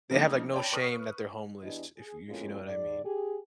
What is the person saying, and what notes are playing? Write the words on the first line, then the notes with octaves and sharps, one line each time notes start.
They have like no shame that they're homeless, if y if you know what I mean.
C#3 F3 A3 A#3 D4 D#4
C#5 D5 G5 A5 B5
B4 C#6 D#6 F6
E2 E3 D4 G4 D#5
G#4
F2 A2 G#3 A#3 C#4 F4
G#2 D5
G4 G#4